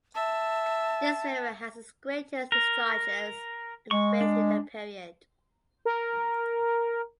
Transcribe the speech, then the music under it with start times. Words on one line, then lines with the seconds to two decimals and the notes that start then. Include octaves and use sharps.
This river had its greatest discharges and width in that period.
0.15 E5 A5
2.52 A#4
3.91 G#3 C#6
4.21 D4
5.85 A#4